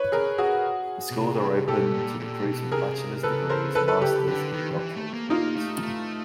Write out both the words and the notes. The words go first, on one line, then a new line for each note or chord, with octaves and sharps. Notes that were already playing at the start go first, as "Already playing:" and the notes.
The schools are open to recruits with bachelor's degrees, master's, and doctoral degrees.
Already playing: B4 C#5
G#4 A#4
F#4 G#4
B2
C3
B2 G4 A4
A#2
A#2
B2
C3 G#4 A#4
C3
C#3 A4 B4
A#4 C5
A4 B4
A4 B4
G4 A4
D3
D#3
D#3
E3
A3
A#3
A#3 D#4 F4
A3
A3